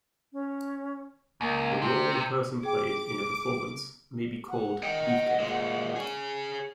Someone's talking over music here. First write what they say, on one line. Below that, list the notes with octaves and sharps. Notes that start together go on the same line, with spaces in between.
A role a person plays in a performance may be called "beefcake".
C#4
C#2 A#3
C3 G5
G#4 G5 D6
F#5
D#5 G5
A#2 G#3
G#4 C#5